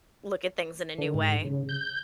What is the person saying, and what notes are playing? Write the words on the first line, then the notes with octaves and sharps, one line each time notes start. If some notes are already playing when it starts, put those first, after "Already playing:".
look at things in a new way."
D3
G#2
C#3
G6